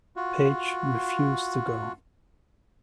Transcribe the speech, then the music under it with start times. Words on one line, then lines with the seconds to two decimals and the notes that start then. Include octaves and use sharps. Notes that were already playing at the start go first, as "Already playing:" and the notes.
Page refused to go.
0.16 F4 F#4